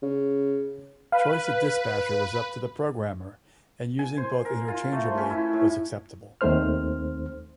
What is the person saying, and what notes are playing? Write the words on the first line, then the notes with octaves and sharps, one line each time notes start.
Choice of dispatcher was up to the programmer, and using both interchangeably was acceptable.
C#3
B4 F5
G#5
C5
A#4
F4
A3
C5
C#4
E4
A2
D#2 D#3 A3 C4 C5 F6